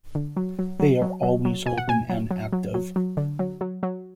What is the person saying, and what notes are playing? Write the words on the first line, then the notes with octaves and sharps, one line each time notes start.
They are always open and active.
D3
F#3
F#3
F#3
F#3
F#3
F#3
B2 G#5
F#5
B2 G#5
F#3
F#3
F#3
F#3
F#3
D3
F#3
F#3
F#3